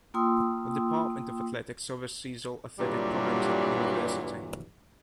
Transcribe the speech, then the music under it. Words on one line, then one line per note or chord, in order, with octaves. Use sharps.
The Department of Athletics oversees all athletic programs at the University.
A#3 F4 G5 C6 D#6 E6
G2 A#2 D3 E3 F#3 G3